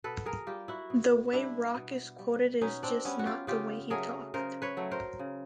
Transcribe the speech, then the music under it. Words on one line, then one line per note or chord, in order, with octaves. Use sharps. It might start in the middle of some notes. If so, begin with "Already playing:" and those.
The way Rock is quoted is just not the way he talked.
B2 A4 B4
G#4 A#4
G3 F4 G4
E4 F#4
B2
G3 D4 E4
B2
G3
B2 C#4 D#4
C4 D4
G3 B3 C#4
F#4
F4 G4
C#3 F4 G4
F#3 A3 G#4 A#4
C#3 A#4 C5
B4 C#5
F#3 A3
A#4 C5
C#3